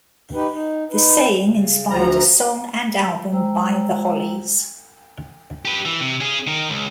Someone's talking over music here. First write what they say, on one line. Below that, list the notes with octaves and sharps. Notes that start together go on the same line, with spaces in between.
The saying inspired a song and album by The Hollies.
D#4 G4 B4
D#4
D#4 B4
C#3
D2 F3 A#5
G#3 C5 G5 A#5 E6
G4 B4
E3
C3
C#4 G#4
D#3 A#4
C#2